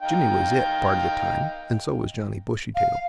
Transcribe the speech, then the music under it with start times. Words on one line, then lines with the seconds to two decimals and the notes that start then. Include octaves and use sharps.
Jimmie was "it" part of the time, and so was Johnnie Bushytail.
0.01 D#4 F5 G5
2.74 F5